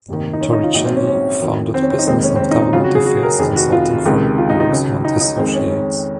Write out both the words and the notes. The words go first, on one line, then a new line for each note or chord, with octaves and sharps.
Torricelli founded business and government affairs consulting firm Rosemont Associates.
F1 D#2 D#3
D#4
C#4
D#4
F4
A#1 G#2 F#3 D#4
C4
C#4
C#4
F2 D#3 F#3
C4
C#4
C4
D#4
F1 D#2 D#3 G#3 C4
C#4
C4
C#4
D#4
D#4
F2 C#3 F#3 F4
F#4
G#4
F#4
A#4
F1 F2 D#3 G#4
F#4
F4
C#2 C3 D#3 G#3
F4
D#4
D#4
C#2 C#3 F#3
D#4
D#4
F2 D#3 G#3 C4
C#4
C#4